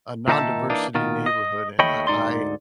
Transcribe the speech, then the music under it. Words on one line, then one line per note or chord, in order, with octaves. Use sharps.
a non-diversity neighborhood, and, uh, I
A#2 D#3 D#4 A#4 E5 A5
E3 A#3 D4 D#4
B2 D#3 F4
D#5
D#2 A3 C#5 D#5 G5 B5
D2 G#2 D#4 D5 C6